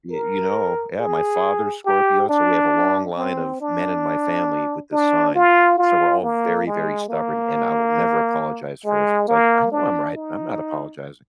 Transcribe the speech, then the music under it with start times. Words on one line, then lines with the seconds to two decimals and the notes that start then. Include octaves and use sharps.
You you know, yeah, my father's Scorpio, so we have a long line of men in my family with this sign so we're all very, very stubborn, and I will never apologize first it's like, "I know I'm right, I'm not apologizing."
0.11 A#4
0.99 G#4
1.86 G4
2.29 D4
3.17 C4
3.61 D4
4.92 D4
5.35 F4
5.78 F4
6.23 A#3
6.67 G#3
7.09 A#3
8.85 G#3
9.28 A#3
9.72 D4
10.16 D#4